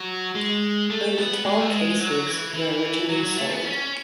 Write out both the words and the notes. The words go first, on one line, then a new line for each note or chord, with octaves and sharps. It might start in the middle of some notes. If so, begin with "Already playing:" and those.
Only twelve cases were originally sold.
Already playing: F#3
G#3
A3
B3
G#3
A3
G#3
F#3
E3
E3
F#3
F#3
A3
B3
C#4